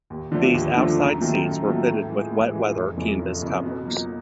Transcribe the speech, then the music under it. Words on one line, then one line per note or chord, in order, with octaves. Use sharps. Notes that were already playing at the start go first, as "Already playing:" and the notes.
These outside seats were fitted with wet-weather canvas covers.
D#2
D3 F3 A3 D4
D#2
D3 F3 A3 D4
F#2
D#3 F#3 A3
F#2
D#3 F#3 A3
A2
E3 G#3
A2
E3 G#3
F1
F2 C#3 E3
F1
F2 C#3 E3
B2
F#3 A#3 D#4